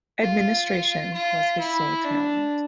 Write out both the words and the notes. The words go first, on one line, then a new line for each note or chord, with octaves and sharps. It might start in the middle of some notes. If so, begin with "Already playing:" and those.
Administration was his sole talent.
F4
F4
E4
D4